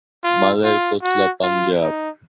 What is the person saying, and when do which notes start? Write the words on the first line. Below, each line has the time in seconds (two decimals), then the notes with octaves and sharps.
Malerkotla Punjab.
0.24 F4
0.64 F4
1.03 F#4
1.43 F4
1.82 D#4